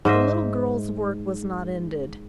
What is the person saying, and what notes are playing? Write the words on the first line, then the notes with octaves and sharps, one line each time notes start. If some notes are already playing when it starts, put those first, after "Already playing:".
The little girl's work was not ended.
G#2 C5 D#5 E5